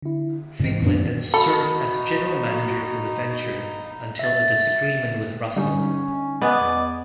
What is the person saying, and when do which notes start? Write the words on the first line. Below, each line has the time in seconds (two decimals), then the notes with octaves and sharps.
Ficklin did serve as general manager for the venture, until a disagreement with Russell.
0.02 D3 E4
0.59 G#2 C3 D#3 E3 C4
0.82 F#2 A#2 D#3 B3 D4
1.34 D#4 F#4 A4 B5
4.19 E5 A6
5.56 D3 G3 C#4 D#4
6.41 B3 D5 D#5 G#5
6.57 E2